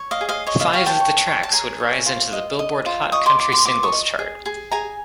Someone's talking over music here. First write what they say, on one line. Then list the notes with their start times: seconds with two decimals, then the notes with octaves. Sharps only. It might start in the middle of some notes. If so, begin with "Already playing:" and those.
Five of the tracks would rise into the Billboard Hot Country Singles chart.
Already playing: C#5
0.11 D#5 F5
0.21 G#4
0.29 D#5 F5
0.47 C#5 D#5
0.60 D#5 F5
0.73 C#5 F5 G5
0.86 G5 A5
1.00 C#5
1.27 C#5
1.43 A5
1.52 G#4 G#5 A#5
1.80 C#5
2.06 F4
2.33 D#5
2.59 D#5
2.86 F4
3.12 D#5 C#6 D#6
3.26 C6 D6
3.39 F4 C6 D6
3.52 C6 D6
3.65 F4 C6 D6
3.83 C#6 D#6
3.92 D#5
4.19 G#4
4.46 G#4
4.72 G#4 G#5 A#5